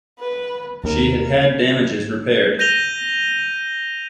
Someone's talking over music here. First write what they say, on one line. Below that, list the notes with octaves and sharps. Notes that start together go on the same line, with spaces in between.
She had had damages repaired.
B4
D#2 A#4
G6 A#6 D#7 F7 G7